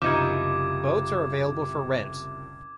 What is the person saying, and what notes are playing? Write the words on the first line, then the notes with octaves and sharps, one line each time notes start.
Boats are available for rent.
F#1 C2 F3 G3 D#4 E4 D6 G#6